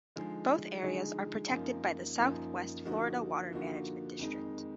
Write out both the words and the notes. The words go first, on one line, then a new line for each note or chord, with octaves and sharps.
Both areas are protected by the Southwest Florida Water Management District.
D3 F3 G#3 D#4 G#4
D3 F3 G#3 D#4 G#4
F#2 F3 A#3 D#4
F#2 F3 A#3 D#4
D3 F3 A#3 D#4 F#4
D3 F3 A#3 D#4 F#4
F2 D#3 G#3 D#4